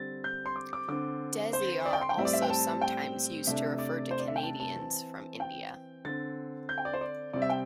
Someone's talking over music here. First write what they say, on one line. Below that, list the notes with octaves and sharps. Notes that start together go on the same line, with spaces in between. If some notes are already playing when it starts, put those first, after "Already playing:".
Desi are also sometimes used to refer to Canadians from India.
Already playing: D3 G3 C4 A6
G6
C6
D6
D6
D3 C4 D6
C5
D5
G5
C6
G5
A2 G3 C4 E5
D5
E5
G5
A5
G5
C3 A3 D4 E5
D5
C5
D5
E5
G5
A5
A5
E3 C4
G5
D3 C4 A6
G6
G5
D5
C5
D5
C3 G3 C4 D5
E5
G5